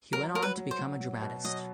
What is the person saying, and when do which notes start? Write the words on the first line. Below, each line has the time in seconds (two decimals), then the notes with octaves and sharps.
He went on to become a dramatist.
0.13 F#3 A#4
0.35 F#3 A#4
0.42 B4
0.58 F#3
0.71 C5
0.79 F#3
1.00 F#3
1.22 B2
1.45 F#3 D#5